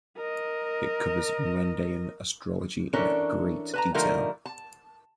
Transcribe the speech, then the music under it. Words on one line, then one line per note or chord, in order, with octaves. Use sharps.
It covers Mandaean astrology in great detail.
A#4 D#5
E3 C#4 D4 A4 A#4
B4 A5 A#5
D3 F3 G3 A3 D#4 A#4
A5